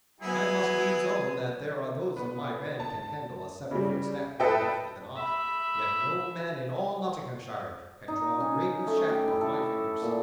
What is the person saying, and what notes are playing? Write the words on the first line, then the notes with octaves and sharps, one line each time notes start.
I must needs own that there are those of my band can handle a seven-foot staff more deftly than I; yet no man in all Nottinghamshire can draw gray goose shaft with my fingers.
F#3 B3 E4 G#4
B3
A5
C#3 G3
A4 B4 D#5 E5 G5
E5 B5
D#4
C#4
A3
G4
E4
A4
A#2